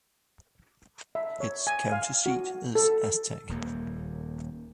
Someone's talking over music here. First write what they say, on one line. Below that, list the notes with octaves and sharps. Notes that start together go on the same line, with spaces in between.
Its county seat is Aztec.
E5
C#5
G#5
F5
F#4
A4
D#1 D#2 A#3